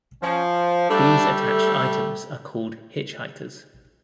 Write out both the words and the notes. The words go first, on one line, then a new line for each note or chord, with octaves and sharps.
These attached items are called "hitchhikers".
F3 C#4
G3 A3 D4